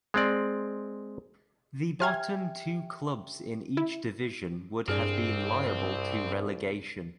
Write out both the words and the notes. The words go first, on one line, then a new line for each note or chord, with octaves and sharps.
The bottom two clubs in each division would have been liable to relegation.
G#3 C4 D5
G4 E5 G5 G#5 F6 G#6
E4
C2 G2 C4 D4 G#4 F6